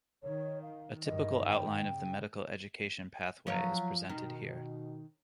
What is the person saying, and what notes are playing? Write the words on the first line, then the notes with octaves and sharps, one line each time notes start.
A typical outline of the medical education pathway is presented here.
D#3 C#5
F5
G2 D#3 D#5
G5
C#3
F3 F#3 C#5
B2 D#3